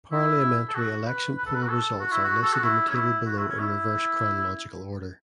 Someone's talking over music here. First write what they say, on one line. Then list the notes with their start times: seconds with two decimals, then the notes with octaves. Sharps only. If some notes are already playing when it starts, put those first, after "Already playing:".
Parliamentary election poll results are listed in the table below in reverse chronological order.
0.12 E4
0.69 A4
0.75 F#4
1.06 B4
1.38 B4
1.46 A4
1.54 B4
1.63 F#4
1.69 A4
2.01 F#4
2.12 E4
2.24 F#4
2.43 A4
2.53 F#4
2.64 E4
2.89 C#4
2.95 E4
3.26 F#4
3.38 E4
3.49 C#4
3.60 E4